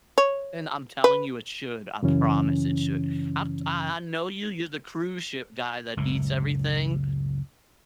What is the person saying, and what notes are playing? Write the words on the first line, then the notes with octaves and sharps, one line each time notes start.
And I'm telling you, it should, I promise it should. I t I I know you, you're the cruise ship guy that eats everything
C#5
B4
F#2 C#3 E3 C#4
F#1 C#2 A2